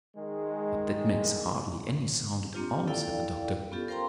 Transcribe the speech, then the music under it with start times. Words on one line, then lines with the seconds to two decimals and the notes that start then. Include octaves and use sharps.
"But that makes hardly any sound at all," said the Doctor.
0.16 D#3 G#3
2.54 A#3 C4 D4 F4 G4
2.87 E4 A4 D5 F5 G5
3.72 B3 C#4 F4 G4 A4
3.88 A#4 C5 F5 G5 A#5 C6